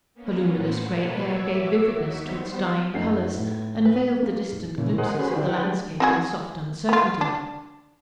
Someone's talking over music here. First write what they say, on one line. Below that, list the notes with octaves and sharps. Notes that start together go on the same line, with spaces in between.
The luminous grey air gave vividness to its dying colours, and veiled the distant glimpses of the landscape in soft uncertainty.
A#3 B3 C#4
A2 C5 F#5 C#7
B2 F#3 A#3 B4 C#5 A5
F#4 C#5 E5 D6 E6
D#2 D#4 F#4 C#6 B6
G3 B3 C5
F#2 A3 B3 D#4 C7
A2
B4
A#3
B1
A#2 C#3 E3
G#4 A#4 C5 D#5 F#5
C#4 F#4 G#4 B4 C5
D3 D4 E4 G4
B4 F#5 G5
G3 G#3 D4
C4 F#4 G#4
B3 F4
D4